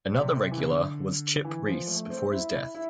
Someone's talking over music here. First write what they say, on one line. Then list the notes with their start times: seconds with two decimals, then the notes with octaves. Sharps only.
Another regular was Chip Reese before his death.
0.14 C3
0.51 E3
0.58 D3
1.45 E3
1.66 F3
1.87 A3
2.10 C4
2.31 E4
2.75 E4